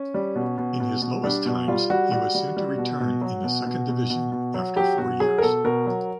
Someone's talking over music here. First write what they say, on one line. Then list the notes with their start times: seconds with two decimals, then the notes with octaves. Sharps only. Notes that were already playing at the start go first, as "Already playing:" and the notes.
In his lowest times, he was soon to return in the second division after four years.
Already playing: C#4
0.14 G3
0.35 B2
0.58 B2
0.80 B2
1.02 B2
1.24 G3 D4
1.45 B2
1.68 G3 F4
1.90 G3 F#4
2.11 G3 F#4
2.35 G3
2.57 G3
2.78 B2
3.00 B2
3.21 F#3
3.44 B2
3.66 B2
3.88 B2
4.10 B2
4.32 B2
4.54 F#3
4.76 F#3 G4
4.98 B2 F#4
5.20 F#3 G#4
5.38 A#4
5.42 B2 A4
5.64 B2 A#4
5.86 F#3